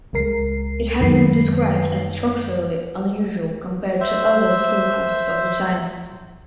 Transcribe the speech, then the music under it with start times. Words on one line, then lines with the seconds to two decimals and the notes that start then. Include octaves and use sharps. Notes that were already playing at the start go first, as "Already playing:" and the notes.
It has been described as "structurally unusual" compared to other schoolhouses of the time.
0.13 C#2 G#3 A#4 C7
1.01 F#2 D#3 G#3 B4 C7
4.01 C5 E5